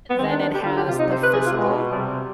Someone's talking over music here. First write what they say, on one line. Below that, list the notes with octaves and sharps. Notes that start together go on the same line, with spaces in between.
Than it has the physical.
B3
D#3 C4
D4
D4
D3 G4
F4
G4
C3 F4
D#4
C5
B4
G#4
F4
B2 G#3
C3 G3